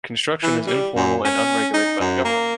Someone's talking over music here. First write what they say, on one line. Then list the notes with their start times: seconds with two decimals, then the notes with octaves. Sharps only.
Construction is informal and unregulated by the government.
0.43 E3
0.67 G3
0.96 F#2
1.25 C#4
1.74 D#4
2.00 F#2
2.25 A#3